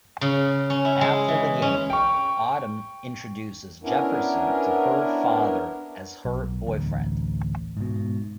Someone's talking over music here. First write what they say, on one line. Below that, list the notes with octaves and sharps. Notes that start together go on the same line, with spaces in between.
After the game Autumn introduces Jefferson to her father as her boyfriend.
C#3
C#4
E4
G#3
E3
C#4
G5 C#6
B3 C#4 D4 E4 A#4
B1
A1 D2
G#2 B2